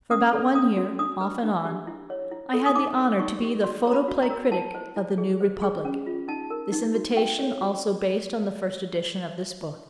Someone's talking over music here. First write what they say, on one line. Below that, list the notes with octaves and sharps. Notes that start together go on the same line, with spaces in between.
For about one year, off and on, I had the honor to be the photoplay critic of The New Republic, this invitation also based on the first edition of this book.
C#4 D#6
A4
C#4 D#6
F#4
D4 D#6
B4
D4
G4
E4
C#5
E4
A4
D#6
D#4 D6
B4
D#4 C#6
G4
F#4 C6
C#5 A#5
B5
F#4
A#5
A#4
E4 A5
C5
E4
G#4
C5
G#4
C#4
F4
D#4 A5
A#4
D#4
F#4
F#4 G5
C#5
F#4